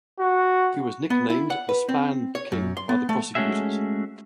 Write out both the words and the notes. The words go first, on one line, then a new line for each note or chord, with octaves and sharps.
He was nicknamed the "Spam King" by prosecutors.
F#4
B3
E4
F#5
B4
C4
C#5
F#2
C6
B3
A3
G#3 A3 C#4 F#4 G#4 E5